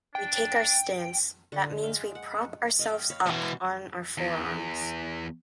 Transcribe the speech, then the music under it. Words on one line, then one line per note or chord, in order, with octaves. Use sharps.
We take our stance, that means we prop ourselves up on our forearms.
D4 G5
D3 F#5 C#6
G#3 F5 G5
F#5
D#5 F5 G5
C#5 F5 B5
B2 E3
E2